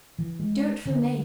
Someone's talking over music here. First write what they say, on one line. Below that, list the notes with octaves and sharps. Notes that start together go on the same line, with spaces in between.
Do it for me....
E3
G#3
D3